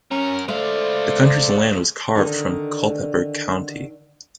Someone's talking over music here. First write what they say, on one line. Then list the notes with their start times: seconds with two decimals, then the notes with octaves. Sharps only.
The county's land was carved from Culpeper County.
0.11 F#2 C#4 A#4
0.48 G#3 A3 C5 D5 F5
2.15 D3 D#3 D4 D#4